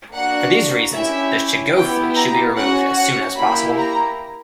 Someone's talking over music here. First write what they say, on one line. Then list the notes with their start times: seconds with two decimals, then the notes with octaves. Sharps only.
For these reasons, the chigoe flea should be removed as soon as possible.
0.13 A#3 D4 F#4 F#5
0.94 C#4 E4 G4 E5
1.75 B3 E4 G4 G5
2.16 A#5
2.56 C#4 F#4 F#5
2.97 F#5
3.37 A#3 E4 G4 B5
3.78 A#5